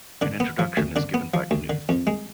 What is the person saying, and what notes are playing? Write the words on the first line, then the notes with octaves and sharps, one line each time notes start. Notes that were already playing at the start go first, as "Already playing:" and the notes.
An introduction is given by Knuth.
D3 D4
B3
F3
D2
D3 D4
B3
F3
D2
D3
F2
G#3